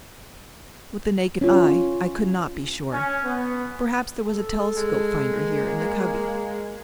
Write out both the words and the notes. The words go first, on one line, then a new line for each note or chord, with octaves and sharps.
With the naked eye, I could not be sure. Perhaps there was a telescope finder here in the cubby....
C#4 F4
C#4
B3
A4
G#3
A#3